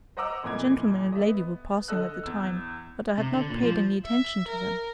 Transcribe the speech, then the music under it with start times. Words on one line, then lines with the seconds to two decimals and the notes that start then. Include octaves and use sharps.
A gentleman and lady were passing at the time, but I had not paid any attention to them.
0.17 C5 D#5 F#5 A#5 D6 E6
0.43 F2 A#2 E3 D#5 D6 G#6
1.12 D#5 E5
1.27 B3
1.88 D3 A4 D#5 E6 F#6
2.24 E2 E6
3.18 C3
3.34 D3
3.50 A#2
3.63 F3
4.05 E5
4.47 A#4